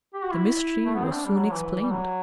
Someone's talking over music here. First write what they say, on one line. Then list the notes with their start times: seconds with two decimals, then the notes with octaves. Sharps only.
The mystery was soon explained.
0.14 G4
0.23 F#4
0.32 E4
0.86 A3
0.94 B3
1.03 C4
1.13 D4
1.26 G3
1.38 F#3
1.52 E3
1.82 G3
1.91 F#3